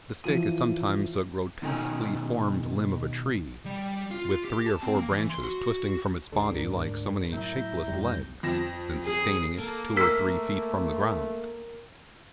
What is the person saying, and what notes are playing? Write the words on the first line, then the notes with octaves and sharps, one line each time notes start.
The stick is sometimes a grotesquely-formed limb of a tree, with three or four branches twisting from its body like so many shapeless legs, and sustaining it two or three feet from the ground.
E3 F3 D#7
B2 D#3 D#4 A4 G5 G#5
G3
F4
G4
A5
C4
A#3
E3
C6
F#4
D2 D4 G4 A4 C6
G#2 A#4
A2 F#3 E4 A#5 G6
F2 D3 G3 D#4
F2 A#6 E7
G#4
A#3 A4
A3 A#4 E6 B6